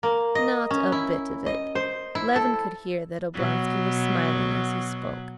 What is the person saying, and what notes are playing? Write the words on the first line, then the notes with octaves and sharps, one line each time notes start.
"Not a bit of it." Levin could hear that Oblonsky was smiling as he spoke.
A#3
D#5
C#4
E4
D#5
C5
E4
A4
B2 F#3